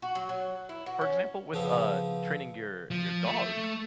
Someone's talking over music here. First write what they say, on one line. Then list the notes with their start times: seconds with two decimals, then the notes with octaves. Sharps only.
for example, with, uh, training your your dog,
0.02 F#4
0.15 F#3
0.29 F#3
0.69 E4
0.86 F#4
1.01 C#4
1.54 C#3 F3 B3 C4
2.91 F3
3.25 A3